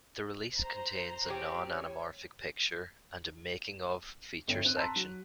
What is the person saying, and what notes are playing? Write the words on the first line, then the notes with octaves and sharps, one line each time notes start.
The release contains a non-anamorphic picture and a "making of" feature section.
C5 A#5
C4 C#4 G4
C#5
G1 C#5 G5 D7
C4 F#6 D#7
A5 A#5 C6 E6 B6
F#3